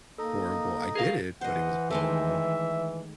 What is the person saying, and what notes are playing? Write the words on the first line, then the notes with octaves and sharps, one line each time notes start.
horrible. I did it, but it was horrible.
A#3 D#4 A4 D#5
G#4 A#4 F5
E3 C5 D#5 F#5
D#3 G#3 A3 E5